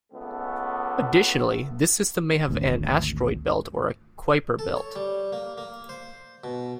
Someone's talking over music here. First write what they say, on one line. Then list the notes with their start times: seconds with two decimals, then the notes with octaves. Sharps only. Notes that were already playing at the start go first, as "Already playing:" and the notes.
Additionally, this system may have an asteroid belt or a Kuiper belt.
0.11 C#2 A3 B3
2.48 G#1 D2
4.59 A4
4.76 C#5
4.96 G3
5.33 A#3
5.58 A#3
5.89 C5
6.44 B2